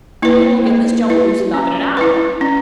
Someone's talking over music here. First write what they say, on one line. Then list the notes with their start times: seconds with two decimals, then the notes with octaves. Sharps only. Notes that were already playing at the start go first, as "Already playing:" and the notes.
They won't get this jumble loosened up in an hour.
0.22 A#3 E4 B4
0.66 A#3
1.10 E4 B4
1.54 C#4
1.97 E4 B4
2.41 C#4